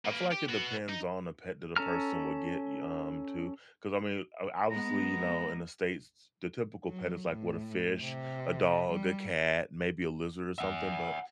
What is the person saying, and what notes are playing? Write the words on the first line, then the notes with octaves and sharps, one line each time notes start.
I feel like it depends on the pet that a person would get y um, to, 'cause, I mean, o obviously, you know, in the States, the typical pet is like, what, a fish, a dog, a cat, maybe a lizard or something, but,
A#3 B4
G4
B3 F#4
D#4
C#4 A4 A#5 F6
G#3 B3 A#5
F#3
A2
C3
G3
E5 F#5